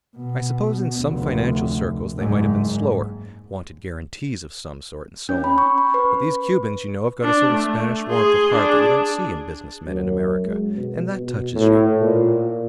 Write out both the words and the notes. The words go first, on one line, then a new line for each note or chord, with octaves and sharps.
I suppose in some financial circles they might have been slower, wanted guarantees of some sort, and so on, but these Cubans, you know, have got a sort of Spanish warmth of heart that you don't see in business men in America, and that touches you.
B2
F1 D2
F#1 G#2
C#4
B5
C#6
B5
B4
D4
A3
G#4 C6
D4 G#4
F#2
G#3
B2
B2
A2
A#2